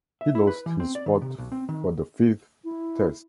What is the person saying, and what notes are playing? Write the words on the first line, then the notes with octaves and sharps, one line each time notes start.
He lost his spot for the fifth test.
E5
E4
B4
E3
C4
D5
D#3
C3
B1
C4
D#3
E4